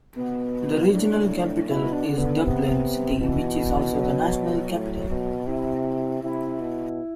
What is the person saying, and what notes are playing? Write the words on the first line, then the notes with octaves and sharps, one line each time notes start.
The regional capital is Dublin City which is also the national capital.
B2 B3
A2 D4
B2 E4
D4
D3
B3
C3 B3
B2 E3
F#3
A2
B2
C3 E4
C3 E4
B2